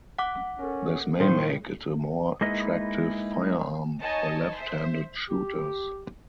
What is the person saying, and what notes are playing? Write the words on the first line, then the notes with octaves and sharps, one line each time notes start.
This may make it a more attractive firearm for left-handed shooters.
F#5 D6 F#6
C#4 A4 A#4
A#2 D#3 E3 G3 C5
G#3 A#3 D#4 E4 B4 D#5
D#4 C#5 D#5 G#5 A5
C5 E5
G4